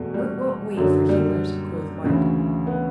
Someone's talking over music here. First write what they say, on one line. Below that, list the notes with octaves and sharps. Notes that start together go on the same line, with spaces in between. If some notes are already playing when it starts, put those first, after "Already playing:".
"Work won't wait for humors," quoth Mark.
Already playing: E2 B2 A3
G3
F#2 D3 F#3
G3
D2 C#3 E3
B3